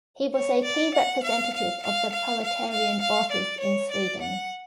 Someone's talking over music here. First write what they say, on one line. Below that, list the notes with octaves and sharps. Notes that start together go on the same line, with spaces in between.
He was a key representative of the proletarian authors in Sweden.
C#5
D5
F#5
F5
F5
F5
F5
F5
F5
F5
D5
C#5
D5
F#5